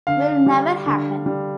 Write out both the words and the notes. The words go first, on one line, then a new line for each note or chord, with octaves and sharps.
Will never happen.
D3 F5
G3
D3
G3